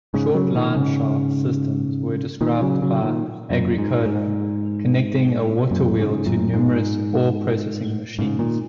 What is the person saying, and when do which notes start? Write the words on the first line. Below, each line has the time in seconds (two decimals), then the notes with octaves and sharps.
Short line-shaft systems were described by Agricola, connecting a waterwheel to numerous ore-processing machines.
0.14 G#2 C#3
0.34 C#3 F#3
0.55 A#2 D#3
0.76 G#2 C#3
2.41 A#2 D#3
2.61 C#3 F#3
2.82 C#3 F#3
3.03 A#2 D#3
3.50 F#2 A#2
3.78 G#2
4.05 G#2
5.71 F#2 A#2
5.99 G#2 C#3
6.26 F#2 A#2
6.54 G#2
8.19 G#2 C#3
8.39 A#2 D#3